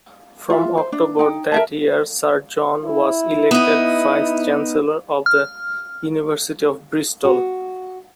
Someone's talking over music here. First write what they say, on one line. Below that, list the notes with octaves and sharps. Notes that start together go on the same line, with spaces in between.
From October that year, Sir John was elected Vice-Chancellor of the University of Bristol.
F4 E5
C5
D4
D#4 G5
A#4 E5 A5
E4
B3 D#4
F6
F#4